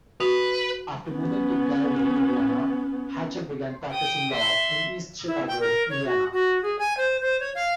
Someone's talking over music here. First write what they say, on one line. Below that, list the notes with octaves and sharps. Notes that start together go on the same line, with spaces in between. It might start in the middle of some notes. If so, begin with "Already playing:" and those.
After moving to Gary, Indiana, Hatcher began practicing law in East Chicago, Indiana.
F#4 B4
B3 C#4
G5 D#6
E5 C6
E4
G5
A#4
C#5
F#4
F#4
G#4
G#5
C5
C5
C#5
F5